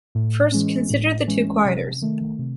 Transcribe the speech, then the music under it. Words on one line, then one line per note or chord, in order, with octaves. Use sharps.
First, consider the two quieters.
A2
E3 G#3 C#4
A2
E3 G#3 C#4
C3
D#3 A3
C3